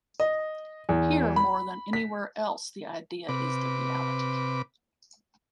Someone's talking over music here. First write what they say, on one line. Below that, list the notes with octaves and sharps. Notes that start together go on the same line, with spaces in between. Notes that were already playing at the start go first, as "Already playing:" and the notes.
Here more than anywhere else the idea is the reality.
D#5
E2
B5
B6
C3 B4 D6